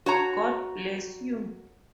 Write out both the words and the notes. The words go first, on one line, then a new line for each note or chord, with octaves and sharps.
God bless you.
F#4 C#5 A#5